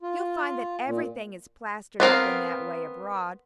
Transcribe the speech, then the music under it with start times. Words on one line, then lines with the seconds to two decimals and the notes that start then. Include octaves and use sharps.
"You'll find that everything is plastered up in that way abroad."
0.02 F4
0.86 A#2
2.00 B3 C4 A#4 F5